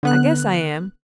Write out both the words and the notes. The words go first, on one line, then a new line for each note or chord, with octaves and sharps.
I guess I am.
D3 B3 F#6